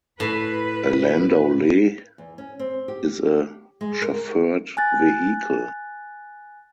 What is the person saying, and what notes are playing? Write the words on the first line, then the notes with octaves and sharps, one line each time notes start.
A landaulet is a chauffeured vehicle.
A2 B4
E2
C#4
C4
G4
G#3
A#4
G#5 F#6 A6